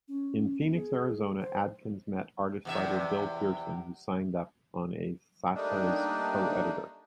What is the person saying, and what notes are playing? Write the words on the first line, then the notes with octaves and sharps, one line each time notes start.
In Phoenix, Arizona, Adkins met artist-writer Bill Pearson who signed on as "Sata"'s co-editor.
C#4
B3
G#4
C5
E2 C3 E5
G3 A3 A#3 D4 D#4